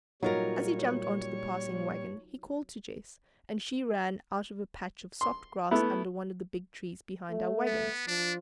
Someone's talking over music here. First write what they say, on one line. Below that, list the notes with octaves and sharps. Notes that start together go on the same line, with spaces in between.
As he jumped on to the passing waggon he called to Jess, and she ran out of a patch of soft grass under one of the big trees behind our waggons.
A#2 F#3 G3 D#4 F4 A#4 C#5
C6
A3 B3 E4
A3
B3
F3 D4